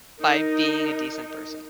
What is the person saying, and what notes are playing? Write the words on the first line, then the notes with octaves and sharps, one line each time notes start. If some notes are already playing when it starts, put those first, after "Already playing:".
by being a decent person.
D#4 A#4